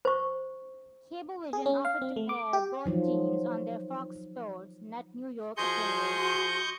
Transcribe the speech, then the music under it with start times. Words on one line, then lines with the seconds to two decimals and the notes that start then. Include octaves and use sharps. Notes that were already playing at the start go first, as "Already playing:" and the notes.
Cablevision offered to pair both teams on their Fox Sports Net New York affiliate.
0.05 C5 C#6
1.53 G#4
1.66 C#4
1.85 F5
2.02 C4
2.16 A3
2.29 D6
2.53 G4
2.86 D#3 F3 F#3
5.57 F3 F#4 G#4 D#5 C6 C#6 G6